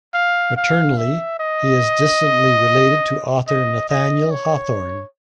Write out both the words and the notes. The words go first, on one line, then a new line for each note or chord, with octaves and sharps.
Maternally, he is distantly related to author Nathaniel Hawthorne.
F5
F5
E5
D#5
D#5
D#5
C#5